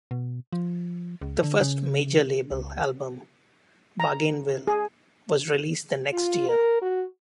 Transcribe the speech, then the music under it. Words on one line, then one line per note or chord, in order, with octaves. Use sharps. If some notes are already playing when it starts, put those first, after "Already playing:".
Their first major-label album, "Bargainville", was released the next year.
B2
F3
C#2
D3
C#3
C#2
A#5
G#4
F4
A#4
F#4